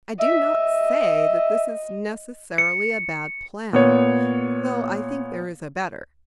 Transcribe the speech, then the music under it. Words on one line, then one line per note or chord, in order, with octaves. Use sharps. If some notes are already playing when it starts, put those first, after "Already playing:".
I do not say that this is necessarily a bad plan, though I think there is a better.
D#5 E5
C#7
A#2 B3 C#5